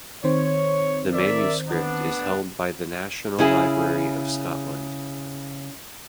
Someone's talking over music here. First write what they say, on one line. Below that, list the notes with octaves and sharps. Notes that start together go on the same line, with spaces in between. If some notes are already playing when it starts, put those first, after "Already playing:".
The manuscript is held by the National Library of Scotland.
D#3 C4 C5 C#5
A#4 D5 E5
D2 B3 D4
C#3 E4 G#4